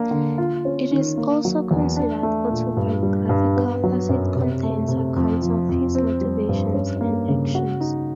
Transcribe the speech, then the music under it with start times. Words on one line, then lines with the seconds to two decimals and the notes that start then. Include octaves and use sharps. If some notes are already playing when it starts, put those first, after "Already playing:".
It is also considered autobiographical as it contains accounts of his motivations and actions.
Already playing: A#3 D4
0.11 D3
0.38 F4
0.65 C#4
0.91 D#3
1.17 A#3
1.45 F#3
1.71 E2
1.97 D4
2.23 A3
2.50 A#2
2.77 G2
3.03 G3
3.29 G2
3.57 B3
3.84 F#3
4.09 F#2
4.35 C3
4.63 A3
4.88 C3
5.16 F2
5.42 F3
5.69 F2
5.95 C4
6.21 G3
6.49 G2
6.74 C#4
7.01 A#3
7.28 C#3
7.55 F#4
7.80 D#4